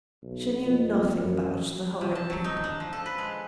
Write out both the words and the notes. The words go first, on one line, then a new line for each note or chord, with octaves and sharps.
She knew nothing about the horrid people.
B1
F2
F#2
C3
A5
F#3
D#4
D4
F3
A4
B4
G#3